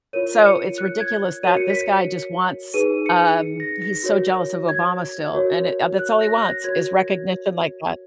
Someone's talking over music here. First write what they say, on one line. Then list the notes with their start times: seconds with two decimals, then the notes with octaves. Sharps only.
So it's ridiculous that this guy just wants, um, he's so jealous of Obama still, and, uh, that's all he wants is recognition like that.
0.13 F4 A#4 C#5 D#7
0.46 C#7
0.78 F#6
1.00 G#6
1.43 F#4 A#4 C#5 D#7
1.57 C#7
1.70 B6
1.83 C#7
2.74 D#4 G#4 B4 D#7
3.06 C#7
3.39 C#7
3.60 A#6
3.82 A#6
4.03 F#4 A#4 C#5
4.69 G#6
5.34 F#4 A#4 C#5
5.99 F#6
6.21 A#6
6.42 A#6
6.64 F#4 A#4 C#5 G#6